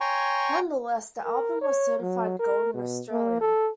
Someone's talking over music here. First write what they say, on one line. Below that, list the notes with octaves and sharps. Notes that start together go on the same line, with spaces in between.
Nonetheless, the album was certified gold in Australia.
C#5 G5 G#5 A#5 C6 C#6
A#4
C#5
F#3
A#4
B2
A#3
A4